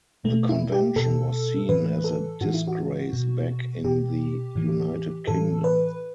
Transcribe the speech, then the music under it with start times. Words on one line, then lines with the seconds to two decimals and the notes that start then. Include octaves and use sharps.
The Convention was seen as a disgrace back in the United Kingdom.
0.24 B2 A3
0.49 E4
0.72 G4
0.96 B2 A4
1.69 A2 E3 B4
2.04 A4
2.41 A2 E3 F#4
2.54 E4
2.67 F#4
3.13 B2
3.84 B2 G4
4.55 A2 E3
5.27 A2 E3 A4
5.64 B4